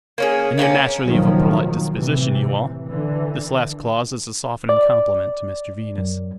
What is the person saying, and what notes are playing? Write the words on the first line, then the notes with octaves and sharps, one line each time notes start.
And you're naturally of a polite disposition, you are.' This last clause as a softening compliment to Mr Venus.
A#3 C#4 G#4
C3 A#3 C4 C#4
F#1 B1 A#2 D#3 F3 F#3
A2 C3 E3
D3 E3
D5
F#2